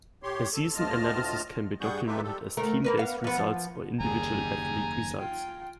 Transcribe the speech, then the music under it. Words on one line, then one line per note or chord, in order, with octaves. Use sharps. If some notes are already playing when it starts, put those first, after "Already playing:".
A season analysis can be documented as team-based results or individual athlete results.
A2 G4 C#5 C6
A4
D2 A2 F4 D#5 A5 F6
G2 G3 G#4 F#5 C#6 G6
D#4 F4 G4 A4 B4 E5
G3 A4
D2 A3 A#4
A#3 A#4 B4
B3 F5
F3 B3
F3
F#1 D#2 G3 G#4 G#5 A#5
F4 G5